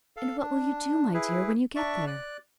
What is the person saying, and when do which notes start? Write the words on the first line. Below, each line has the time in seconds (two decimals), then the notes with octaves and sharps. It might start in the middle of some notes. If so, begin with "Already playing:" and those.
And what will you do, my dear, when you get there?'
0.17 A4 F5
0.40 D4
1.14 E4 G#4 B4
1.76 D4 D5 E5 C#6
2.07 D5 F#6